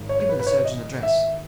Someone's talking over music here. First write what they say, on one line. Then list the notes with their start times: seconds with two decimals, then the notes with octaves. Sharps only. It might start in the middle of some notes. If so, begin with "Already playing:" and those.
Give me the surgeon's address.
Already playing: G#1 G#2
0.09 C#5
0.20 C#5
0.29 B4
0.39 B4
0.47 C#5
0.65 D#5
1.03 E5